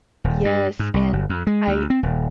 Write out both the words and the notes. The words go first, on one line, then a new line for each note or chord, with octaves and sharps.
Yes, and I
D#1
G2
G#2
C2
G1
F2
G#3
D2
C4
D#1